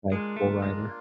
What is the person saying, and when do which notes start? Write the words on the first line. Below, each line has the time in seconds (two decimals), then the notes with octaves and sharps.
like, bull rider.
0.12 G#3 A#3 D4 F4
0.36 A3
0.62 G#3